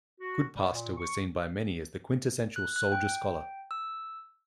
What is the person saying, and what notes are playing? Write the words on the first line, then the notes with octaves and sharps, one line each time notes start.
Goodpaster was seen by many as the quintessential "soldier-scholar".
F#4
G3
A#2
C#6
F#6
F#6
G5
E6